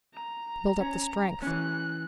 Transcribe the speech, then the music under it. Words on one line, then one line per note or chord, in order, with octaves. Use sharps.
Build up the strength.
A#5
C#4
E3 C#4 F#6